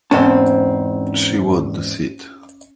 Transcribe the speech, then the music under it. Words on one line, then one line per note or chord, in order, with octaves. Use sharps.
She won the seat.
E2 G#2 C4 C#4 A5